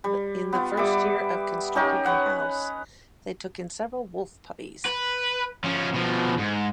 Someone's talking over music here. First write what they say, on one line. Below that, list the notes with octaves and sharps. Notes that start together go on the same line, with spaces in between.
In the first year of constructing a house, they took in several wolf puppies.
G3
B3 F4
G3 E5 D6
C#4 D#4 G4 A#4
B4 C#5 F#5
B4
F3 C#4
B2 F3
G#2